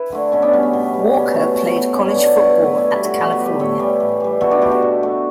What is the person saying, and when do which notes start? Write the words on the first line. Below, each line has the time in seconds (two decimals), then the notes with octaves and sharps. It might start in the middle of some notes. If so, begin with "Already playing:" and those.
Walker played college football at California.
Already playing: E4 B4
0.12 D3 A3
0.32 B2 C#4
0.42 B3 D4
0.53 G3 C#4
0.63 B3
0.73 B2
0.94 G3
1.14 B2 C#4
1.34 A3 B3
1.55 B2
1.75 A3
1.95 G2 C#4
2.06 B3 D4
2.16 F#3 A3 B3 D4
2.26 A4 C#5
2.37 G2 B4 D5
2.50 C#5 E5
2.57 F#3 A3
2.64 B4 D5
2.77 B2 A4 C#5
2.91 G4 B4
2.99 G3
3.05 F#4 A4
3.18 B2 F#4 A4
3.32 G4 B4
3.39 G3
3.46 G4 B4
3.60 A2 A4 C#5
3.79 E3 G3
4.00 A2
4.20 E3 G3
4.41 B2 F#4 A4
4.51 D4 F#4
4.61 A3 E4 G4
4.71 F#4 A4
4.82 B2
5.03 A3